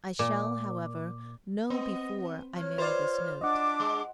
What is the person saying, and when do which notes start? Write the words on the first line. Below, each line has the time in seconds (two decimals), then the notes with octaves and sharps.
I shall, however, know before I mail this note.
0.19 A#2 D6
1.70 B3 C4 D#5
2.56 F3 C#5 F6
2.78 F4 B4 C5 D5
3.41 D4 D#5 F#5 D6
3.80 G#3